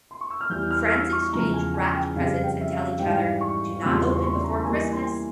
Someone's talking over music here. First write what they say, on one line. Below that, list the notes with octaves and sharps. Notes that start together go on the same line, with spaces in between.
Friends exchange wrapped presents and tell each other, Do not open before Christmas!
C6
C#6
E6
F6
E2 E3 G3 G6
F6
E6
C#6
E2 C#3 F3 G#3 A#5
G#5
G#5
G5
F2 C#3 G3 F5
G5
E5
F5
G#2 E3 G3 G5
F5
G5
C#6
E2 C#3 G3 C4 F4 E6
C6
C#6
C#6
C6
A#5
A#5
E3 G3 A#3 G#5
C6